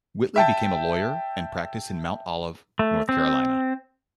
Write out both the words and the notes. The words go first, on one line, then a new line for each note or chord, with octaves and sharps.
Whitley became a lawyer and practiced in Mount Olive, North Carolina.
E5 G5 A5
A3
C4